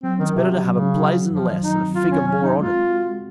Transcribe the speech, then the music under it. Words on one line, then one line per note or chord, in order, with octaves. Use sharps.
It is better to have a blazon less and a figure more on it.
F#3 C4
D#3 C#4
C3 F#4
C3 F#3
C#3 F#3
C#4
F#4
F#3
F#2 F3
D#3
F#3 D#4
C4
F#2 F4
D#3 C#4
F#3 C#4
C4 D#4
G#3 F4
C4
F#4
G#3